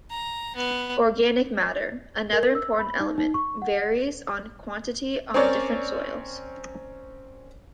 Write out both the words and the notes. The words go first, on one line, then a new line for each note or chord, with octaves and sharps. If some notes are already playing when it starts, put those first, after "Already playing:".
Organic matter, another important element, varies on quantity on different soils.
A#5
B3
A#4
E6
B5
D#4
D#4
C#6
F#5
C4 C#4 A#4 C#5 D5